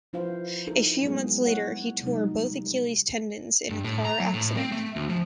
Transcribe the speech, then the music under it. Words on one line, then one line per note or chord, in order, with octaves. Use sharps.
A few months later, he tore both Achilles tendons in a car accident.
F3 E4 F4 B4 C5 F5
D#4 E4 A4 A#4
F#3 G#3 A3 B3 G#4
E4 C#5 F#5
C3 F#3 G#3 D#4
G3
G2
A2
A#5
F#3
A2
C4
A3
D2
F3